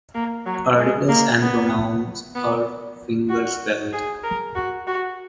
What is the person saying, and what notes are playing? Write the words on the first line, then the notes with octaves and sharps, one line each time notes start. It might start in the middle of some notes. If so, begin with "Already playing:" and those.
Articles and pronouns are fingerspelled.
A#3
F#3
G#3
A#3
B3
B3
F#4
G#4
A#4
F#4
F#4